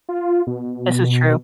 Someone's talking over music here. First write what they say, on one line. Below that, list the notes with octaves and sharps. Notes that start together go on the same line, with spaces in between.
This is true.
F4
B2